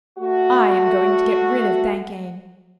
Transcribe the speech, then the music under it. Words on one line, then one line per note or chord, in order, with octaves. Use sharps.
'I am going to get rid of Thakane.'
A3 F#4